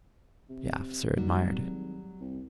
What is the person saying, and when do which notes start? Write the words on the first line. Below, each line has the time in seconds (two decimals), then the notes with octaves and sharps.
The officer admired it.
0.49 C3
1.16 D#2 F#3 G3
1.40 G#1
2.21 C2